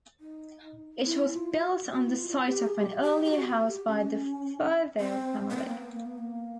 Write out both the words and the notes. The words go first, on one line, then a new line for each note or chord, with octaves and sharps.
It was built on the site of an earlier house by the Furtho family.
D#4
E4
F4
F4
F#4
F#4
E4
F4
G4
G#4
G4
G4
G4
F#4
G4
C#4
C4
B3
C4
A#3
B3
A#3
B3
A#3